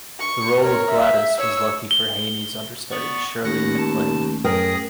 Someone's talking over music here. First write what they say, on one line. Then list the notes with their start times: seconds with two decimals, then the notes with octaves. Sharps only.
The role of Gladys was lucky for Haney's understudy, Shirley MacLaine.
0.19 C#6
0.61 A#4 C#5
0.91 E5
1.38 C#5 E6
1.91 G7
2.91 B3 D5 C#6
3.44 D#2 A3 C#4 F#5 F#6 A#6
3.78 A5
4.44 F#2 G#4 A#4 G5 D#6 A#6